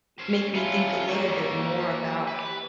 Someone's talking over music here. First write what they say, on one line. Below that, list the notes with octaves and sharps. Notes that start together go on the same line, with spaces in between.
make me think a little bit more about
C#4 C5
C#4 E4 F4
A#3 G4 C#5
B4